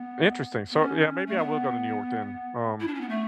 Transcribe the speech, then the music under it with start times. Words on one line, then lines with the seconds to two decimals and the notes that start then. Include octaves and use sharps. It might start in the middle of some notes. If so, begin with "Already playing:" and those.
Interesting. So, yeah, maybe I will go to New York then. Um,
Already playing: B3
0.71 B3
0.82 C#4
1.27 A3
1.38 B3
2.80 E4
2.87 D4
2.95 C#4
3.01 B3
3.09 A3